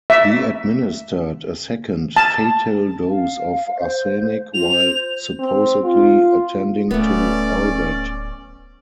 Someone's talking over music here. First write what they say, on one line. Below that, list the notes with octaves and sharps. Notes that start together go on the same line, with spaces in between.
He administered a second, fatal dose of arsenic while supposedly attending to Albert.
E5
A5
F5
C5
F4 F7
C5
C4
F4
D1 A3 B3 C#4 D5